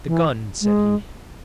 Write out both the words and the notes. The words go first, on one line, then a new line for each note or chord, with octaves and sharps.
"The gun!" said he.
E3
G#3